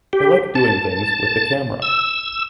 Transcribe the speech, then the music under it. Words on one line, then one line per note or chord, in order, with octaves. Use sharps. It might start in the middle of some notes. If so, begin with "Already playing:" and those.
I like doing things with the camera.
G4
A5
E6